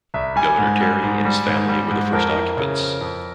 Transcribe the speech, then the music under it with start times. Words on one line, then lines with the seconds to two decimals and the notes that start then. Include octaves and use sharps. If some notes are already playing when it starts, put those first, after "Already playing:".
Governor Terry and his family were the first occupants.
0.14 C2 E5
0.36 G3 G#5
0.58 G#2
0.80 G3
1.03 G#2
1.25 G3
1.46 G#2
1.69 G3
1.90 G#2
2.13 F2 A#4
2.35 E3
2.57 C#3
2.78 F2
3.01 F2